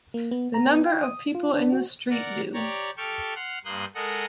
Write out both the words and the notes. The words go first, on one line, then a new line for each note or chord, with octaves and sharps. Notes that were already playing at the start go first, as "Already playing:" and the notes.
The number of people in the street do.
A#3
B3
A#5
B3
G5
D#6
F4
D4
F#4
A#4 D5 F#5
G4 C#5 D5 A#5
G4 A4 G5 A5 C#6 F6
F#5 C6 F6
G2 A#3 C6 D#6 F#6 G6
G#3 A4 A#4 D#5 F#5